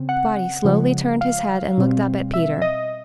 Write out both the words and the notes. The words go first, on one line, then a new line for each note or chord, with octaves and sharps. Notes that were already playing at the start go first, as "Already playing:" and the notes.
Spotty slowly turned his head and looked up at Peter.
Already playing: C#3 C4
F#5
C#3 F3 G#3
F5
B2 G3 C4
E5
D#5